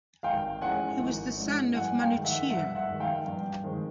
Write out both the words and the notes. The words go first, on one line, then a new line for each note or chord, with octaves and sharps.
He was the son of Manuchihr.
G#1 F5 G5
G#2 E3 G#3 C#4 F#5 G#5
G#1
G#2 E3 G#3 C#4
G2 F#5 G#5
F5 G5
G#3
D#3
E5 F#5
G2 E5 F#5
E5 F#5
D#3 G#3
F5 G5
G2
D#3 G#3 C4